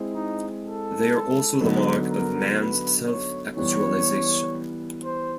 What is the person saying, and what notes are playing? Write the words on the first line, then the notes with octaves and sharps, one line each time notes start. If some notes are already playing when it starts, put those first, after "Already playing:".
They are also the mark of man's self-actualization.
Already playing: G#3 C4 E4
D#4
A4
D3 F#3 B3 D#4
A#4
B4
C#5
E3 G3 B3 C#5
C5